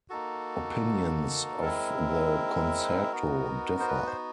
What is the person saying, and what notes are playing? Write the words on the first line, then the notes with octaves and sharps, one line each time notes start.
Opinions of the concerto differ.
A#3 D#4 F#4 A4
G#3 C4 E4 A#4
B3 D#4 F#4
C5
B4
C5